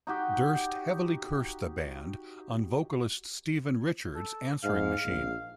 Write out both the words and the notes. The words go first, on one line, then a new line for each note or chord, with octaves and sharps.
Durst heavily cursed the band on vocalist Stephen Richards' answering machine.
D#4 F#4 G4
A4
G#2 F5
A#1